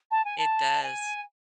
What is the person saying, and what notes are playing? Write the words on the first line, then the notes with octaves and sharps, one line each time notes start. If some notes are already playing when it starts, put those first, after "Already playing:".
it does.
A5
G#5
A5
G#5